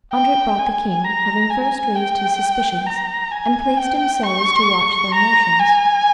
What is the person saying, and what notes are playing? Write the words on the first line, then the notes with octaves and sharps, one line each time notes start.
Andret brought the king, having first raised his suspicions, and placed him so as to watch their motions.
G5
G#5
A#5
G#5
G5
A#5
G#5
G5
C#6
A#5
G#5